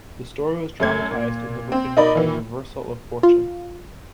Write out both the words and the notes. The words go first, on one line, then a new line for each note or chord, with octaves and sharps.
The story was dramatized in the book and movie, "Reversal of Fortune".
F#2 A3 G#6
A#2
C4
D#4 A#4 D5 D#5 B5
D#3 E3
F4